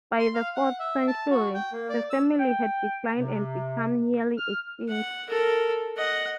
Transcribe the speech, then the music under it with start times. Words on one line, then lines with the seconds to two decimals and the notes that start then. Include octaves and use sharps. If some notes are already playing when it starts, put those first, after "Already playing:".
By the fourth century, the family had declined and become nearly extinct.
0.19 C6
0.34 F5
0.56 F#5
0.79 E5
1.07 A5
1.30 F#4
1.54 G5
1.72 A#3
1.89 D5
2.10 E6
2.39 G5
3.17 C3
4.37 F6
4.89 F#5
5.29 A4 A#4
5.97 D#5 F#5